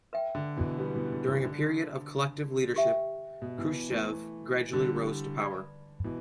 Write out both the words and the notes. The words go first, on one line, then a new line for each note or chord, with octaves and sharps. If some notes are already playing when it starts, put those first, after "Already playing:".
During a period of collective leadership, Khrushchev gradually rose to power.
B4 E5 G5
D3
B2 E3
G3 B3
B2 E3
D3
B2 E3
D3
G4 E5 G5
B2
B2 E3
E3 A3
D3 G3
B4 D5 B5
B2 E3